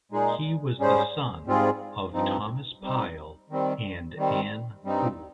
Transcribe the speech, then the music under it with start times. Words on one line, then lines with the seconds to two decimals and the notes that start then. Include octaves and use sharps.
He was the son of Thomas Pile and Anne Poole.
0.12 A#2 G#3 D#4 G#4
0.79 G#2 G3 C#4 G#4 C5
1.46 G#2 G3 C4 F4 G#4
2.13 G2 F3 C4 D#4
2.81 G3 C4 D#4
3.50 D#3 G3 C4
4.17 D#3 G3 C4
4.84 G2 G3 C4 D#4